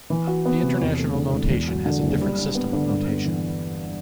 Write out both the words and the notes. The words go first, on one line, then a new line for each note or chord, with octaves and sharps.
The international notation has a different system of notation.
E3
F#4
B3
C3
E2
A3
D3
E1
E2
F#3
D3
F#1
G3
D4
B3
D3
G2
B3
E3